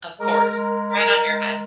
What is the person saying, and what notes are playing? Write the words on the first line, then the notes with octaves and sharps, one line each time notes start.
Of course. Right on your head.
G#3 A#4
G#3
D#3 A#4
G#3